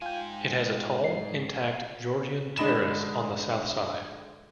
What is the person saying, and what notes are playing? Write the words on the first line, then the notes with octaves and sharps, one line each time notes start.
It has a tall, intact Georgian terrace on the south side.
G#2 F4 G5 G#5
C7
D3 G#3 D4 D#5 B5 E7